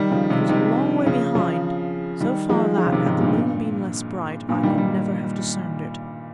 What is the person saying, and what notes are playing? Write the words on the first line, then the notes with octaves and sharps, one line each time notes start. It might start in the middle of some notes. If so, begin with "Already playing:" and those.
It was a long way behind--so far that, had the moon been less bright, I could never have discerned it.
Already playing: D#3 G3
C#3 F3
C3 D#3
C3 D#3
C#3 F3
C#3 F3
D#3 G3
F3 G#3
F3 G#3
C#3
C3 D#3
G#2
G2 A#2
G2 A#2
D#3 G3
D#3 G3